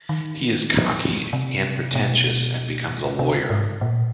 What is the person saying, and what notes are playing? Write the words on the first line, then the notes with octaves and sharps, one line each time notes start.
He is cocky and pretentious and becomes a lawyer.
D#3
C3
B2
C3
G#2
A#2